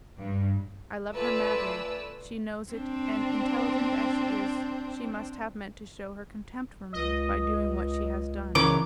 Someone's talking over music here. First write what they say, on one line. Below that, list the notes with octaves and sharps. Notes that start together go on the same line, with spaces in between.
I love her madly; she knows it, and, intelligent as she is, she must have meant to shew her contempt for me by doing what she has done.
G2
A3 F4 B4 D5 G#5 E6
C4 D4
C#2 D#5
C#3 E3 A#4 D6